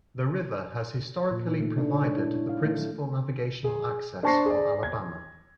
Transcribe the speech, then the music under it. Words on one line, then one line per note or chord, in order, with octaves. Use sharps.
The river has historically provided the principal navigational access for Alabama.
A#2
D#4
A3
D4
C#5
G#3
E4
E4
F5
A3
F#3
G#4
D4 C5 A5 C#6 A#6 C7
G#4 D5
G#6